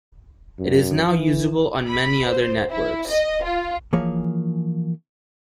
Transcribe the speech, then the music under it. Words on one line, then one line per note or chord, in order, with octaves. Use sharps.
It is now usable on many other networks.
F#2
E3
B5
C5
E4
D#5
F4
E3 F3 A#3 G#4 C#5